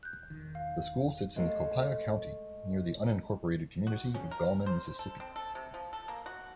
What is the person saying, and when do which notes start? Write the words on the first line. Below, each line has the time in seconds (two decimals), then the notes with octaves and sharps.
The school sits in Copiah County, near the unincorporated community of Gallman, Mississippi.
0.03 F#6 G6
0.28 E1 D#3
0.55 F5
1.36 G#3 A3 A4 F5
3.87 F#4
4.14 C#4
4.31 A#4
4.66 C5
4.99 A4
5.20 C4
5.36 A4
5.55 C3
5.74 F3
5.93 A4
6.08 A#3
6.26 F#4